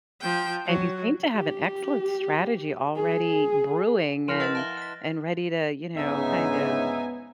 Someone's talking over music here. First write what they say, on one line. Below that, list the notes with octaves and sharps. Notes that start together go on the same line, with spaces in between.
and you seem to have an excellent strategy already brewing and and ready to, you know, kind of
F3 G5
F#3
G4
G#4
F3 E4 C6 F6 A#6
B4 D#5 F#5 F6 A6 E7
E5 F5 A5
F#6 B6
D2 G#2 C#3 B3 D#4 E5 G#5